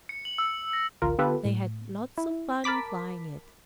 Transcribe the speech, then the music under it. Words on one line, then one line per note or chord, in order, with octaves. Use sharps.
They had lots of fun flying it.
C#7
F#7
E6
A#6
A1 D2 F4 A#4
D3 B3 F4 G4 A4 B4
A2
E4
A#4 A5 B5 D6 B6